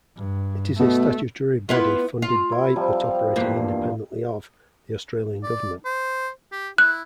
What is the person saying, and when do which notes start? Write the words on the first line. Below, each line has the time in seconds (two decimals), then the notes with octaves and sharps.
It is a statutory body funded by, but operating independently of, the Australian Government.
0.17 G2
0.80 B2 A3
1.69 B3 E4 F4
2.22 F4
2.52 E4
2.76 C3 F3 G3
3.36 E2 G2 A#3
5.43 D5
5.85 C5
6.52 G4
6.78 E4 F#6